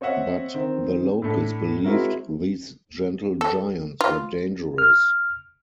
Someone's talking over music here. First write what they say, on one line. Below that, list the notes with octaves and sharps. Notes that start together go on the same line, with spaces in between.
But the locals believed these gentle giants were dangerous.
C4 C#5 D#5 E5 F#5
D#3 C4
A2 A3 D4
G#3 C4 E4 F#4 A#4
A4
F4
F6